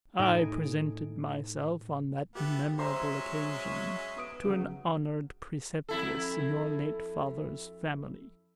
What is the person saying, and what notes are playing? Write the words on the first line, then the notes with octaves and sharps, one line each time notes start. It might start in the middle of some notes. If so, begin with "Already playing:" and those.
I presented myself on that memorable occasion to an honored preceptress in your late father's family.
A2 D#4 G#5 D7
A3 B3 G4
F#3 G#3 C#4 C5 E5 A#5 C6
B3 D#6 D7
C#3 F#3
F2 E4 A4